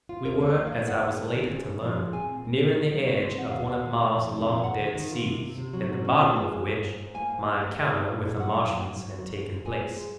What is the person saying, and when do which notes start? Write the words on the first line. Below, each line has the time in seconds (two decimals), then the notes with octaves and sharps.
We were, as I was later to learn, nearing the edge of one of Mars' long-dead seas, in the bottom of which my encounter with the Martians had taken place.
0.09 F4
0.25 D#2 A#4
0.41 A#3
0.46 C#5
0.56 A#3
0.67 F5
0.72 A#3
0.88 G#2 F#5
1.03 A#3
1.19 G#2
1.35 D#3
1.50 C#3
1.67 C#3
1.81 F3
1.98 G#3
2.13 C4 G#5
2.29 A#2
2.45 A#2
2.60 A#2
2.76 C#3
2.92 F#3
3.07 C#3
3.23 C4
3.38 D#3 F#5
3.52 D#2 F5
3.65 A#3 F#5
3.85 D#3
4.01 C3
4.17 F2
4.33 C3
4.48 F2
4.64 G#2 F#5
4.79 D#3
4.95 D#3
5.11 F4
5.27 C3
5.42 C3
5.58 C3
5.73 F#3
5.89 A#2
6.05 C#4
6.21 F4
6.36 G#3
6.52 A#3
6.68 G#2
6.83 G#2
6.99 G#2
7.14 A#3 G#5
7.30 G#2
7.46 G#2
7.62 A#3
7.77 G#3
7.93 D#4
8.08 A#2
8.24 G#3
8.40 F#3 F#5
8.55 F#2
8.71 F#2
8.87 F#3
9.02 G#2
9.18 F#3
9.34 G#2
9.49 G#2
9.65 G#3 G#5
9.81 G#2
9.96 G#3